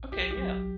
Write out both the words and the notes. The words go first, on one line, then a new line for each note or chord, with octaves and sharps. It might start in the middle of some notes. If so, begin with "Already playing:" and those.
Okay, yeah.
Already playing: A1
C2 G4
G4
F#3